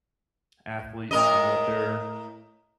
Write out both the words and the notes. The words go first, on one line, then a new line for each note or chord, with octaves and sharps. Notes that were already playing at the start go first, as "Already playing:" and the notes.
athletes and what they're
A2 A#4 D#5